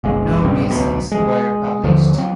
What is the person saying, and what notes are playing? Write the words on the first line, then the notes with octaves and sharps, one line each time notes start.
No reasons were published.
F#1 B1 G#3
E1 B1 G2 C4
D1 B1 B2
G#3
D#2 D3 F3
F#3 C4